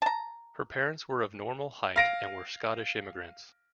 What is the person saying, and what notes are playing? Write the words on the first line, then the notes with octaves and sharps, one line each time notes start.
Her parents were of normal height and were Scottish immigrants.
A5 A#5
F5 A#6 D7